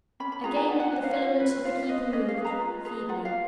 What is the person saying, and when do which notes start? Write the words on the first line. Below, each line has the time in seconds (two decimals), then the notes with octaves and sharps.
Again the filaments of the Keeper moved--feebly.
0.20 C#4 B5
0.32 B5
0.43 F4 G#4 B4 A#5
0.56 G#5
0.68 F4 F#5
0.80 F#5
0.92 B4 F#5
1.04 F5
1.16 F4
1.40 B4
1.64 F4 F5
1.83 F5
1.89 B4 D#5
2.13 C#4 D#5
2.29 F5
2.37 G#4 B4
2.45 A#5
2.60 F4
2.85 G#4 B4 A#5
3.09 F4 F#5
3.25 F5